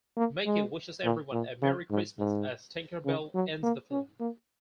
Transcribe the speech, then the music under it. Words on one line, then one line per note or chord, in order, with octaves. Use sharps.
Mickey wishes everyone a Merry Christmas as Tinker Bell ends the film.
A#3
G#3
A#2
A#2
C#3
G#2
G#2
C#3
F#3
A#3
C#4
A#3